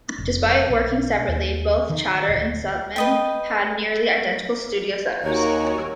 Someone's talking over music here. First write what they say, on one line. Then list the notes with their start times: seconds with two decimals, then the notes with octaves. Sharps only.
Despite working separately, both Chater and Seltmann had nearly identical studio set-ups.
0.18 F1
0.69 B1
1.28 D#2
1.90 D#3
2.28 D1
2.96 B4 D#5 G5
5.24 D#2 F#4 A#4 C#5 G#5